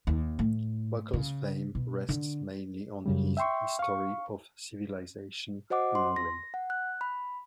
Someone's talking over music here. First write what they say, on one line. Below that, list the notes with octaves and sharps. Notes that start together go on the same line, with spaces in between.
Buckle's fame rests mainly on his "History of Civilization in England".
D#2
A2
C#3
B2
D3
F#2 C#3 G3
E5 G5 C6 C#6
F5 C#6
F#4 C5 D#5 F#5 D6
C6
A#6
F#5
F#6
B5